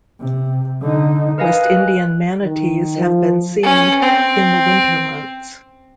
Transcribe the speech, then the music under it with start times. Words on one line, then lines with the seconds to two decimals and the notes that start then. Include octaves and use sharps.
West Indian manatees have been seen in the winter months.
0.21 C3
0.82 D3 D#4
1.38 A#4 B4 D#5 F5 G#5
1.63 F#6
2.44 D#3
2.98 F3
3.63 C#4
4.02 C4